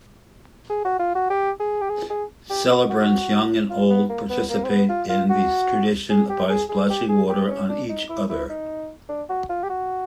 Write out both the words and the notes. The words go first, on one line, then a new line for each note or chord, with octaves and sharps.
Celebrants, young and old, participate in this tradition by splashing water on each other.
G#4
F#4
F4
F#4
G4
G#4
G4
G#4
G#4
G4
F#4
F#4
F4
B3
A#3
B3
A#3
C4
B3
F4
F4
F#4
G#4
G4
G#4
G#4
G4
G#4
G4
C#4
D4
D#4
E4
E4
D#4
D4
F#4
F4
G4
F#4